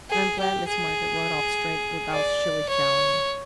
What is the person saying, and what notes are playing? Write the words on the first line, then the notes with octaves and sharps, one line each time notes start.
And I'm glad Miss Margaret wrote off straight, without shilly-shallying.
G#4
G4
G#4
D5
C#5